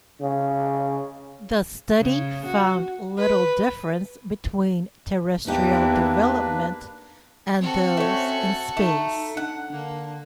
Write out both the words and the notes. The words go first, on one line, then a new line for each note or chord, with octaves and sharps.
The study found little difference between terrestrial development and those in space.
C#3
C#3
F#4
B4
E2 A#3 D4 D#4 G4 B4
C4 F#4 A4
A3 C#4
A3 D#4
D4 F#5
D3 A#3